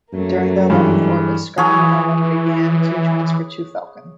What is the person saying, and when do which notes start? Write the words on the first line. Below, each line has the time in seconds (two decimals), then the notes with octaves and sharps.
During the eleventh orbit, Scott and Irwin began to transfer to "Falcon".
0.13 F#2 F#3 A3 A#3
0.70 G2 E3 G#3
1.58 E3 G#4 C#5